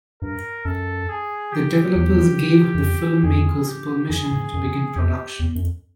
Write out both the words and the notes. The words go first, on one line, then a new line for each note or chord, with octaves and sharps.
The developers gave the filmmakers permission to begin production.
G2 A#4
F#2 A4
G#4
G4
E2
F#2
F2
F2 G#4
G4
F#2 G#4
G#2
F#2
F2 G4
E2
F#2
F2